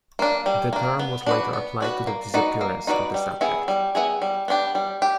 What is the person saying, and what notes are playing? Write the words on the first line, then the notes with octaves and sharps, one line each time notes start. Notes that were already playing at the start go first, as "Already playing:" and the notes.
The term was later applied to the disappearance of the subject.
A#3 D4
G3
A#3 D4
B3
D4 F#4 B4
B3
D4 F#4 B4
A#3
D#4 F#4 B4 D5
A#3
D#4 F#4 B4 D5
G3
B3 E4 G#4
G3
B3 E4 G#4
G3
B3 D4 G4
G3
G4